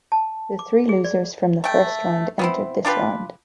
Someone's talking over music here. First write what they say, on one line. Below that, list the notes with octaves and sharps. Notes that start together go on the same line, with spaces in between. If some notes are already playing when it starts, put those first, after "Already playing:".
The three losers from the first round entered this round.
A5
D6
G#4
D5
A3 G5
B3 C4 E4
D4 F4 G4 B4